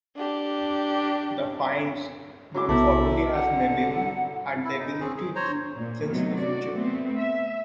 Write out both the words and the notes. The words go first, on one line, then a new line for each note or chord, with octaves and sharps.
The Fiends, known formally as Neberu, had the ability to sense the future.
D4 G4
F#3 G#3 E4 D6
B1 C3 B3 E4 A4 A#5
D3 F#5
E4
D#4
C4 C#4 G#4
G#4
C5 C#5 A#5
A#2
C3 F#3 A3 B3 D#4
F#4 D5
A3 B3 C4
E5